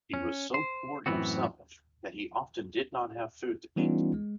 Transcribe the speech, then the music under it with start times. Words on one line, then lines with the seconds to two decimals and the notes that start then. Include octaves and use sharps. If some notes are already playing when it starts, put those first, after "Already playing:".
He was so poor himself that he often did not have food to eat.
0.14 C#4
0.54 C5
1.06 F#2 A2 E3 B3 C4 F#4
3.76 E3 G3 B3 C#4 D#4 F4
4.14 G#3